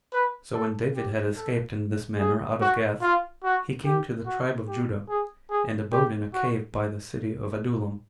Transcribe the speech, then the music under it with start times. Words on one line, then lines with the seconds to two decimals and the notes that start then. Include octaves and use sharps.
So when David had escaped in this manner out of Gath, he came to the tribe of Judah, and abode in a cave by the city of Adullam.
0.13 B4
0.54 A4
0.95 G4
1.37 A4
2.19 G#4
2.61 F#4
3.02 F4
3.44 F#4
3.85 G4
4.26 F#4
4.68 G4
5.09 G#4
5.51 G#4
5.92 G4
6.34 F#4